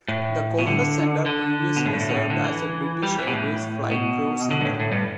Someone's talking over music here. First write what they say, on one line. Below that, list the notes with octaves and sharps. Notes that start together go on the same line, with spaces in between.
The Compass Centre previously served as a British Airways flight crew centre.
A2
B2
D3
D3
B2
A2
G2
A2
B2
A2
D3
E3
G3
E3
B2
A2
B2
D3
G2
A2
A2
G2